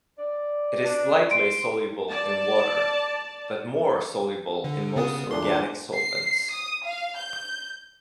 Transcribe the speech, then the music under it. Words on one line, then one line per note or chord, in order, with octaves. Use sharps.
It is slightly soluble in water, but more soluble in most organic solvents.
D5
D4
C6 D7
D5 A5
D3
C#3 B3 D#6
E2 A#2 D4 C6
C7
D#6
F5
G6